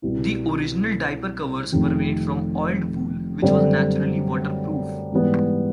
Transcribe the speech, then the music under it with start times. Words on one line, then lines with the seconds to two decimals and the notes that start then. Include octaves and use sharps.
The original diaper covers were made from oiled wool, which was naturally waterproof.
0.02 C2 B2 G3 B3 E4
1.72 F1 F2 C3 D#3
3.42 F#2 D3 G3 C4
5.12 G#2 E3 G3 B3